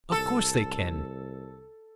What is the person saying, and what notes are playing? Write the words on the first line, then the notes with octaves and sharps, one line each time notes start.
Of course they can.
C2 A4